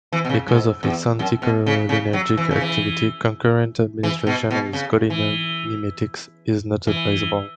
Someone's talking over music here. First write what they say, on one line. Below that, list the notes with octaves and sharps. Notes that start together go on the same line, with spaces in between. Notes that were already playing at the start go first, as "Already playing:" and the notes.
Because of its anticholinergic activity, concurrent administration with cholinomimetics is not advisable.
E3
B2
C#3
G#2
E2
F#2
B2
C#3
C#3
F#3
E3
C#3
E3
E3
B2
B2
C#3
E3
E3